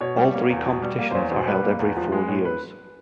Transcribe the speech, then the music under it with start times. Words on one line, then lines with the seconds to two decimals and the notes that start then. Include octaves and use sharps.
All three competitions are held every four years.
0.01 B2 C#5
0.17 G3
0.33 A#3
0.50 E2
0.66 B2
0.82 G3
0.99 A#3
1.11 C5
1.15 E2 C#5
1.31 B2 C5
1.47 G3 B4
1.63 A#3
1.79 E2
1.97 F3
2.12 G#3
2.28 A2
2.45 B4